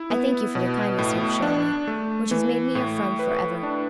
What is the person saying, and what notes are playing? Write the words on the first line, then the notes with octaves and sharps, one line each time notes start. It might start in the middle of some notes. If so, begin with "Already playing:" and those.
I thank you for the kindness you have shown me, which has made me your friend for ever.
Already playing: E4
B3
B2
A2
D4
A3
E3
A2
B4
D4